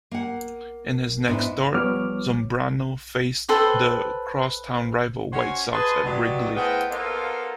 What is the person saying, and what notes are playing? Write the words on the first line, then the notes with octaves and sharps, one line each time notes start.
In his next start, Zambrano faced the cross-town rival White Sox at Wrigley.
A#3 F#5
G#2 B3 D4 E4
F3 G3 B3 C#5 D6 F6
A4 B4 C5 G5
C#4 F#4 C5 C#5
G#4 B4 D#5 A5 C6
F#3 B3 D#4 F#4 G4 D5
A2 B3 G#4 C5 F5 G5
A#3 B3 D#4 F4 A4 C5